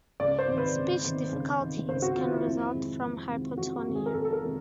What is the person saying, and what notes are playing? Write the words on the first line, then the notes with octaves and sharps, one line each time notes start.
Speech difficulties can result from hypotonia.
C#2 D5
C5
C3 D#3
B4
C#2
C3 D#3
C#2
C3 D#3
C#2 C5
F#4
C3 D#3 F4
E4
F2
C3 D#3 G#3
F2
C3 D#3 G#3
F2 F#4
F#4
C3 D#3 G#3
G#4
A#4
F2 A4
A4
A#4
C3 D#3 G#3